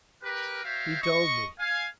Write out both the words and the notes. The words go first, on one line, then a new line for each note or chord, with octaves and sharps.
He told me.
G4 A#4 B4
F#4 C5 C#5 E5 F5 G5
D#5 C#6
F5 G#5